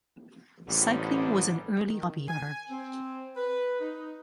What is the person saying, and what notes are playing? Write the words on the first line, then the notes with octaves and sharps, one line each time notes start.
Cycling was an early hobby for her.
A1 G#2 D3 G3
D#3
G#5
C4
B4
D#4